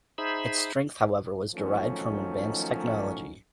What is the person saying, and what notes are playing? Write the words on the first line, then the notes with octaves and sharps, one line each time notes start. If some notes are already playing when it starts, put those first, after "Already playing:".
Its strength however was derived from advanced technology.
D#4 G#4 C5 E5 B5
D#3 F3 F#3 A3 C#4 D#4